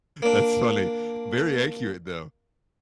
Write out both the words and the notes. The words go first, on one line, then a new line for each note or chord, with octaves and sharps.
That's funny. Very accurate, though.
A#3 D4